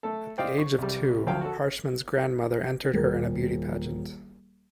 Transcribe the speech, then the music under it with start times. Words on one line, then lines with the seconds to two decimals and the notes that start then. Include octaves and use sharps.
At the age of two, Harshman's grandmother entered her in a beauty pageant.
0.03 A3 A4
0.38 C5 D5 D#5 F5 G5
0.58 C#6
0.78 C2 G3
1.27 D2 F3 F#3 F5 G5
1.41 F#4 A4
2.93 D#1 G#4 A#4